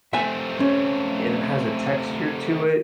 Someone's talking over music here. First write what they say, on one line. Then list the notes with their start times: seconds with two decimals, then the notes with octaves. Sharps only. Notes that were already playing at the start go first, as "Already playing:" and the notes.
it has a texture to it
0.13 A3 C4 E5 G#5
0.60 C#4